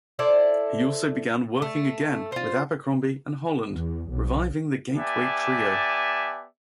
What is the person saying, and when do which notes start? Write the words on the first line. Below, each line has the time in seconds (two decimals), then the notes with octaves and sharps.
He also began working again with Abercrombie and Holland, reviving the Gateway trio.
0.19 E4 A4 C5 D5
1.62 A3
2.32 F4 C5
3.72 E2
4.11 B1
4.96 B3 G4 D5 E5 G#5 A5